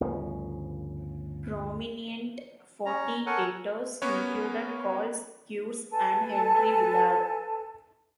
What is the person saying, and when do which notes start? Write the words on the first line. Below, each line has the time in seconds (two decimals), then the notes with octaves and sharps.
Prominent Forty-Eighters included Carl Schurz and Henry Villard.
0.01 G1 D2 C#3 F3
2.86 C#4 A#5
3.26 A4 A#4 C#5 F#5 G#5
4.02 A#3 B3 C#4 A#4 B4 C#5
5.91 A4 B4 G#5 A5